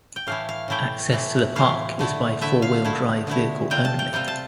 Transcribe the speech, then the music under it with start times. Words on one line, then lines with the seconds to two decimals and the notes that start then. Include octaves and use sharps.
Access to the park is by four-wheel-drive vehicle only.
0.16 G5
0.27 A2 E3 A3 E4 F5
0.49 F5
0.68 A2 E3 A3 E4 G5
1.12 A2 E3 A3 E4
1.55 A2 E3 A3 E4 F5
1.99 D3 A3 E4
2.41 D3 A3 E4 E5
2.62 F5
2.84 D3 A3 E4
3.27 D3 A3 E4
3.70 C3 G3 C4 F4 G5
3.85 A5
3.99 G5
4.13 C3 G3 C4 F4 G5
4.28 A5